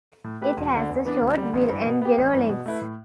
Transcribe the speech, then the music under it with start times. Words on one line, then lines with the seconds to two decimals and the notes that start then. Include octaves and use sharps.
It has a short bill and yellow legs.
0.24 A2
0.41 A3 G4 B4
0.57 E1
0.73 D2 D3
0.89 E2
1.05 E3 B3 D4
1.21 D2
1.37 D3 G3
1.53 A1
1.69 G2 E3
1.86 B2
2.02 B3 G4
2.18 A1
2.33 G2 E3
2.49 B2
2.66 A3 E4 B4
2.81 A2